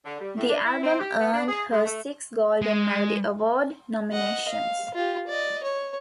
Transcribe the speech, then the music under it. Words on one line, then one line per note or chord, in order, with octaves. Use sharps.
The album earned her six Golden Melody Award nominations.
D3
G3
A2
D4
E4
C4
G4
B3
D4
G#4
G#3
A3
G#3
D#5 F#5
F5
F4 G4
D5 D#5
C#5